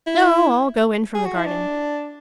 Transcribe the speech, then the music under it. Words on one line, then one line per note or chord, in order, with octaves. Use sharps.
"No, I'll go in from the garden."
E4
G#4
F#4
E4
D4